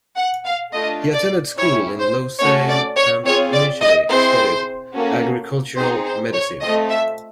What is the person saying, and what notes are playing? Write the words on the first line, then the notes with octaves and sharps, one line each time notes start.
He attended school in Lausanne, and initially studied agricultural medicine.
F#5
F5
A3 D4 F4 D#5
D5
C#4 E4 G4 C#5
C5
A3 C#4 F#4 A4 C#5
D5
C#5
C4 F4 G#4 C#5
D5
D#5
C4 E4 G#4 C5
A#3 C#4 F#4 A4
C4 D#4 G#4 C5
C5
C#5
A3 C4 F4 A4 D#5
E5